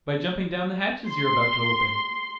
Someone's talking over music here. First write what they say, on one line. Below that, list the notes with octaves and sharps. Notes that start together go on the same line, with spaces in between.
"By jumping down the hatches you're about to open."
C6